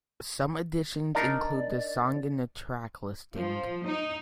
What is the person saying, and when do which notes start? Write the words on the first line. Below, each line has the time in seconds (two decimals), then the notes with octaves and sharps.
Some editions include the song in the track listing.
1.15 D4 D#4 A#4 D5
3.35 F3
3.84 D#4